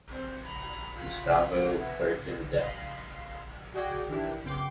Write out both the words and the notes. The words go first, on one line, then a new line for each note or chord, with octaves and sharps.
Gustavo Kuerten def.
C4
A#5 B5
F4 B5
B3 E4
D#5 F5 B5 C6
F#4 G#4 D5 D#5 G5
D#3 E3 D4 E4 G4
F#2 C#3 B3 G5 C6 D6